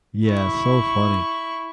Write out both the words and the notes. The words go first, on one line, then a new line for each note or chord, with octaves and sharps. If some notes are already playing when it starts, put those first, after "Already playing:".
Yeah, so funny.
E4 C#6